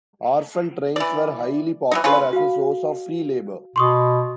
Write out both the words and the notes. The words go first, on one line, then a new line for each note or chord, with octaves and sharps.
Orphan trains were highly popular as a source of free labor.
E3 D5
E3 F#3 D#4
C#4 F4 B4
F#4 F5
B2 C6 C#6 D#6